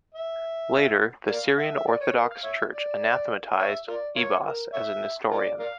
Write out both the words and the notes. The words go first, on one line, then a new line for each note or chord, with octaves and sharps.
Later, the Syrian Orthodox Church anathematized Ibas as a Nestorian.
E5
A#4 D5 F5
E5
E5
D5
C#5
A#4
F5
C#5 E5
D5
C#5 E5
F4 A#4 D5
F4 A#4 C#5
A#4
C#5 E5
F4 A#4 D5
A#4 D5 F5